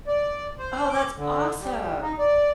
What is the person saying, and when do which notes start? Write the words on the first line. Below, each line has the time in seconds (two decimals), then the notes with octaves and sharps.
Oh, that's awesome.
0.07 D5
0.59 C5
0.89 D6
1.17 D3
1.59 G3
2.02 D#4
2.19 D5